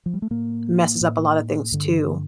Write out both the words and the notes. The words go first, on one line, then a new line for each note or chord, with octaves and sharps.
messes up a lotta things, too.
F3
G3
A3
A2 A#3
A2
G2 D3